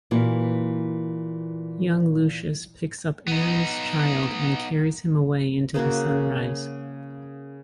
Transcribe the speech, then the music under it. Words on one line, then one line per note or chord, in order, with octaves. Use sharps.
Young Lucius picks up Aaron's child and carries him away into the sunrise.
A#2 E3 A#3 F#4
B3 D#4
C#3 A#3 C#4 F#4